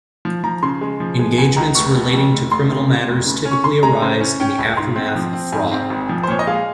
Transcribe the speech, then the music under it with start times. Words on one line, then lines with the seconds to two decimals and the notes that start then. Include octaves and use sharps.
Engagements relating to criminal matters typically arise in the aftermath of fraud.
0.25 F3
0.44 F3 A#5
0.63 C#3 C6
0.81 G#3
1.00 F3
1.19 G#3
1.38 C#2 G#5
1.56 C#2 A#5
1.75 F1 C#6
1.95 F1
2.13 F2
2.32 F1
2.51 F1 C6
2.70 C3
2.89 C3
3.08 F1
3.26 C#3
3.45 C#4
3.51 C#6
3.64 C#3 C6
3.83 G#3 A#5
4.02 C#3 C5
4.20 C#4
4.40 C#4 G5
4.58 C#2 G#5
4.77 G#2 C6
4.96 C4
5.15 F3
5.33 C4
5.52 G#2 G#5
5.72 C4
5.90 G#1
6.09 F3
6.23 C5
6.28 A#2 C#5
6.39 D#5
6.47 G#3 F5